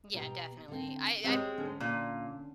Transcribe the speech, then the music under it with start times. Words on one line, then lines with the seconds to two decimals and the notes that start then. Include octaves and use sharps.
Yeah, definitely. I I
0.13 B2 G4 A#5
0.68 D3 C4
1.24 G#3 C4 G4 C#5
1.57 D3 C#4
1.80 A#2